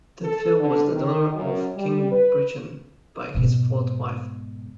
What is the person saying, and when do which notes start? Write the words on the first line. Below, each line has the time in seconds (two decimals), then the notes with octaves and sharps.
Tydfil was the daughter of King Brychan by his fourth wife.
0.25 A4
0.59 D3
0.92 D#3
1.35 F#2
1.77 G3
2.12 B4
3.34 G#2 B2